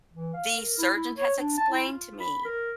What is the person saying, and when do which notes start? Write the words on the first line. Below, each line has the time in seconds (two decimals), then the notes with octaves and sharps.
"The surgeon has explained to me
0.14 E3
0.34 F5
0.57 A#4
0.78 E4
0.93 E4
1.17 C#5
1.38 D4
1.58 A5
1.70 E4
1.87 F4
2.20 B5
2.45 A#4